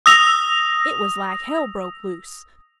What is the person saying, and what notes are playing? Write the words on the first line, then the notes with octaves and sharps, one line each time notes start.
It was like hell broke loose.
D#6 E6 A#6 F7